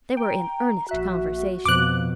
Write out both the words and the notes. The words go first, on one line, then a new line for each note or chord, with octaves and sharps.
They were in earnest conversation.
G5 A#5
A#1 F#4 E5 F#6
F2 B2 F3 D6 F#6